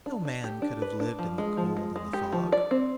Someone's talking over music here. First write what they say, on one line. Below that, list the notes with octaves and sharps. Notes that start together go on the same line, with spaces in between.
No man could have lived in the cold and the fog.
D4
D4
G4
D4
B4
D4
F3
G#3
F3
G#3
G#3
G4
F3
D5
C4